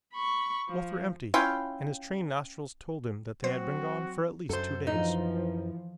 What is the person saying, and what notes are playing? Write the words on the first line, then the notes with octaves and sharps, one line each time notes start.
Both were empty, and his trained nostrils told him that they had been gone for at least two days.
B5 C#6
F3
C#4 E4 F4 G5
F#3 C4 F#4 C5
F#2 A4 C5
E3 F3 D#4